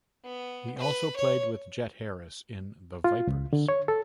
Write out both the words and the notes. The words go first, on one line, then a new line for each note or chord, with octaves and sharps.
He also played with Jet Harris in "The Vipers".
B3
B4
C#5
F4
C#2
D3
C#5
A4